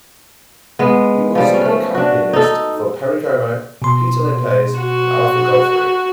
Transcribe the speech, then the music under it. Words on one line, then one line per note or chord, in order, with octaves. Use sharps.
He was an accompanist for Perry Como, Peter Lind Hayes, and Arthur Godfrey.
G#3 B3
F3 G3
C#4
A3
D4 F#4
D#4 A4
B2 C6
F#4